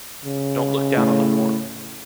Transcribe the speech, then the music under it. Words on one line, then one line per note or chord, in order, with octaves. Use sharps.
Don’t look down on the poor.
C#3
A2